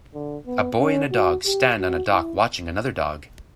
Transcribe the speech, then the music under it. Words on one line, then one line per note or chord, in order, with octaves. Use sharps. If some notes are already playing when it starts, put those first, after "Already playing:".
A boy and a dog stand on a dock watching another dog.
D3
B3
C#4
F#4
G4
F#4
E4